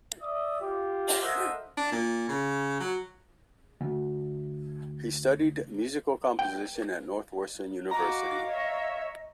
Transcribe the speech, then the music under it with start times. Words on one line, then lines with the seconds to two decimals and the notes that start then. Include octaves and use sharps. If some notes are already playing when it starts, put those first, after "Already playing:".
He studied musical composition at Northwestern University.
0.21 D5 E5 D#6
0.60 F4 G4
1.21 A4 A#4 C5 D#5 E5 F#5
1.77 D4
1.92 A#2
2.29 C#3
2.80 F#3
3.81 D2
6.39 G5
7.91 F#4 D#5 F5 A#5 D6
8.47 C#5 E5